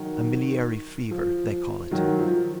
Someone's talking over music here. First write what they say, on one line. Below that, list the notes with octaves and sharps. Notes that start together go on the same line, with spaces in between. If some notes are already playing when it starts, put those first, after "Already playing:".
A miliary fever, they call it.
Already playing: D#3 F#3
F3
D#3 F#3
F3